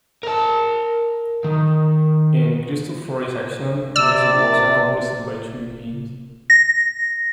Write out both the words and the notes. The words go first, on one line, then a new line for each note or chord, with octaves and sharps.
In Cristofori's action, this was accomplished by two means.
A#4 A5
D#3
C3 D5 E6
A#6